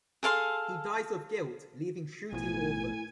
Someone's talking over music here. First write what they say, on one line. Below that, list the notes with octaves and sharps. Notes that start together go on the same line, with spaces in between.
He dies of guilt leaving Shruti orphaned.
G#4 A4 F5 C6
A1 B2 F3 A3 E4 G#5